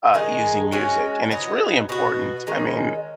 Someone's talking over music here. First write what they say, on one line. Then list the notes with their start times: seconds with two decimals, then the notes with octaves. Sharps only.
uh, using music. And it's really important, I mean
0.14 D#3 G#3 D#4 G#4
0.72 G#3 C#4 F#4
1.31 F#3 B3 D#4
1.89 B2 B3 F#4
2.47 D#3 G#3 C#4